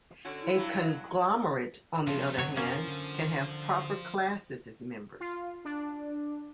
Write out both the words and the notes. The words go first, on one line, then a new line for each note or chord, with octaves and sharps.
A conglomerate, on the other hand, can have proper classes as members.
D3 C#4 F#4
E4
G2 F#3
G2 C3 F3 A3
F#2 C3 F#3 C#5
F3 A#3 C#4
D3
F4
D4